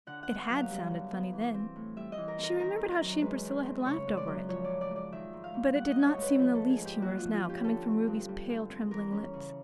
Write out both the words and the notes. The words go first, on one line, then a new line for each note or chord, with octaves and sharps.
It had sounded funny then--she remembered how she and Priscilla had laughed over it. But it did not seem in the least humorous now, coming from Ruby's pale, trembling lips.
D3 F#5
F#5
B3
F#5
F#2
F5
G3
D3
B3
E3
C4
A2
G3 E5
D#5
E3
A#4
C4 A#4
D#3 A#4
C4
A#4
F#2
G#3 B4
D#3
C4
C#3 C#5
G#3
D5
F#2
F3 C#5
D5
C#3
D5
G#3
D5
D#3 E5
G#2
F5
G#2
G3 F#5
D#5
D#3
C#5
G#2
B4
F3 B4
C#4 A4
G#4
G#2 G4
A#3 F#4
F3 F4
F4
C#4
G4
D3 A4
C4
G2
G3
D3
C4
E3 A#4
C#4
C#3